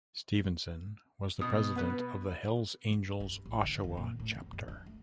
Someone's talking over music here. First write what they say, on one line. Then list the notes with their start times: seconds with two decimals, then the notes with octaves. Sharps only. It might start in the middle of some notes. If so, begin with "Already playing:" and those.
Stephenson was the president of the Hells Angels Oshawa chapter.
1.41 B2 D#6
1.76 B3 B4
3.20 G2
3.46 A1
3.63 D3
3.84 D#2
3.97 A#2
4.20 A2
4.31 E2
4.53 F#2
4.68 D4
4.86 A3